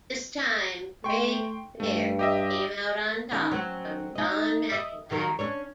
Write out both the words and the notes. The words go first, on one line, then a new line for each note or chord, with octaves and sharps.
This time Craig Baird came out on top from John McIntyre.
A3 G5 C6 C#6
G2 A3
G4 D#5 E5
D#3 C#4 D#4
F#3 C4 C#4
D#4 D#5
D#5 E5
D#3 F#3 A#4
C#4 D4 C#5